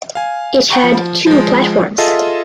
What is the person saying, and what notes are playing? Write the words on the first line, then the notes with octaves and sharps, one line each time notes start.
It had two platforms.
F5 G#5
F#5 G5 A#5 C#6
F3
F3 G#3
F4 G#4 A4 D#5 E5 A5